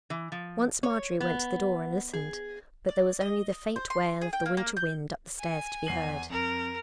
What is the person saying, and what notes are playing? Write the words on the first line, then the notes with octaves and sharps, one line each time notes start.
Once Marjorie went to the door and listened, but there was only the faint wail of the winter wind up the stairs to be heard.
E3
F3
C#5
B3
G#4
D5
D#5
C5
C6
G#4
G5
A#3
A#3
G6
G#5
E2 C7 F#7
F2 A#4